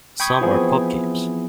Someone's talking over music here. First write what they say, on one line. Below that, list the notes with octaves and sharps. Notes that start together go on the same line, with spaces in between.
Some are pub games.
G5 B5 C#6 D#6 G#6
E3 F3 B3 C4 E4 G#4